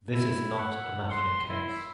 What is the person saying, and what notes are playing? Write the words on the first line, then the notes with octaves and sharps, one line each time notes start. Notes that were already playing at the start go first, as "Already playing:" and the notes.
This is not a Mafia case.
E4
F#5
C6
E4